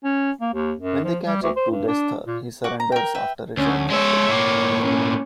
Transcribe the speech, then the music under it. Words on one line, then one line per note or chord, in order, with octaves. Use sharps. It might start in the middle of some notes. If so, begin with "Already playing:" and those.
When they catch up to Desther, he surrenders after a short battle.
C#4
A#3
D#2
F#2
F3
G3
D2
C5
G2
D4
A#2
F#4 D5
A#5
A#4 G5
B4 E5 G5
D2 C#4
G#3 C#5 E5
A2 A#3
C#4